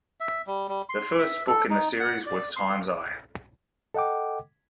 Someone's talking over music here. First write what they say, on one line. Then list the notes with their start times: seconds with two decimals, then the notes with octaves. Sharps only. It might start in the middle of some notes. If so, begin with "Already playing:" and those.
The first book in the series was "Time's Eye".
0.20 E5
0.47 G3
0.68 G3
0.89 C6
1.19 E5
1.47 A4
1.70 D#4
2.00 F#5
2.26 D5
2.56 C6
3.94 A4 D#5 F#5 G5 D6